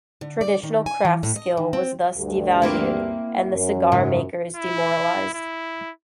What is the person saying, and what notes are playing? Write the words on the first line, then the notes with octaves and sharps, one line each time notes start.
Traditional craft skill was thus devalued and the cigar makers demoralized.
D3
D5
D#3
G#5
E3
A2
D#5
D#3
C4
D2 G2
A#3 C4 E4
F#2
G#2 C#3
E4
E4